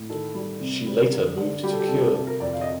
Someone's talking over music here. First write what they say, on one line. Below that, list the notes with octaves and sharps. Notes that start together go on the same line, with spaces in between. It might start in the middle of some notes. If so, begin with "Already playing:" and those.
She later moved to Kure.
Already playing: A2
D#3 A4
G3
C3
G3
D3 A#4
D3
G3 G4
A4
G4
C3 A4
G4
C3 A4
A#4
F2 D5
F5
D#5